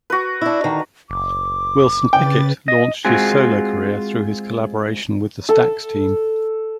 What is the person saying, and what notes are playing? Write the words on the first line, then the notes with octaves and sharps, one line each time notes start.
Wilson Pickett launched his solo career through his collaboration with the Stax team.
F#4 B4
D4 E4
D3 D#3 A#5
F#1 D6
C#3 B4 G5 A6
D#5
G#3 C4 F4 F#4 G#4
A4